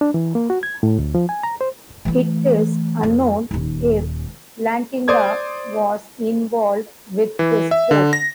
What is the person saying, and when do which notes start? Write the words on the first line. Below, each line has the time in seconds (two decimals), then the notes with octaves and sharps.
It is unknown if Lantinga was involved with this port.
0.01 D4
0.14 E3
0.35 A#3
0.50 F#4
0.63 G#6
0.83 A2
0.99 D2
1.15 F3
1.29 G#5
1.43 A#5
1.61 C5
2.05 E3 A3
3.03 F2
3.51 D#1 D#2
5.08 C5 D5 D#6 G#6
7.39 E3
7.71 E5
7.91 D3
8.13 A#6